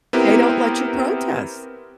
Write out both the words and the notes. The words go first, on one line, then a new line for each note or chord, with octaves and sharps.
They don't let you protest.
B3 C4 E4 G4 A#4